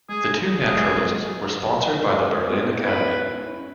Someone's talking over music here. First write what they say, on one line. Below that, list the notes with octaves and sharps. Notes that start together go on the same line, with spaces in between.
The two naturalists were sponsored by the Berlin Academy.
G#3 G#4
F#3
G#3 G#4
G#3
F#3 A#3
G#3
F#3
G#3
G#3 B3
E4
B3 D#4
C#4 E4 B4
C#4 E4